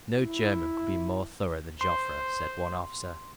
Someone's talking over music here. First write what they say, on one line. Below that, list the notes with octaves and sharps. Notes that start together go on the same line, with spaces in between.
"No German could be more thorough than Joffre," said one officer.
E4
C5 C6